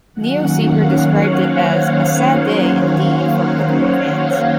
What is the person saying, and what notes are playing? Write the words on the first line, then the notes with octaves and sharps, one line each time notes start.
Neoseeker described it as a "sad day indeed for "Pikmin" fans".
D#3 F#3 A#3 C#4 F#5
F5
C#5
C5